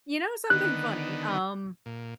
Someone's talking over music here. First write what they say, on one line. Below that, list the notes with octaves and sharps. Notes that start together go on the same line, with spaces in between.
You know something funny, um,
D3 D#3 B3 F#6
A#2